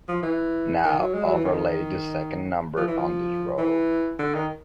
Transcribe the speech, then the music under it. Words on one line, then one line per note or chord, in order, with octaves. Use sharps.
Now overlay the second number on this row.
F3
E3
D#3
F#3
G#3
F#3
E3
D#3
F3
E3
F3
E3
D3
D#3